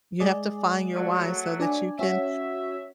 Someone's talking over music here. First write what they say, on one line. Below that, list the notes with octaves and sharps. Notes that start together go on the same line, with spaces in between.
You have to find your "why" so that you can
G#3 G#4 D5
F#3 A3
D4 D5 G#5
C#4 F#4 C#5 E5